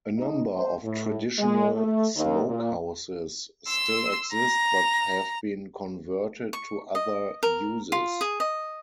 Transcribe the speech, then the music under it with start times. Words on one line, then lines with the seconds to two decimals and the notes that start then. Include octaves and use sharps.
A number of traditional smokehouses still exist but have been converted to other uses.
0.18 D#4
0.54 C5
0.83 A2
1.38 G#3
1.74 A3
2.15 D#2
2.47 A#2
3.67 C6 E6
4.32 A#5
6.53 C#6
6.95 D#5
7.43 A#4
7.92 F4
8.21 G#4
8.40 D#5